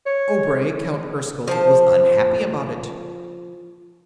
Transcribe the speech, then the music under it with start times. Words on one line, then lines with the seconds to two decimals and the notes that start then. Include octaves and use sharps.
Obray, Count Erskyll, was unhappy about it.
0.06 C#5
1.48 F3 C5 A5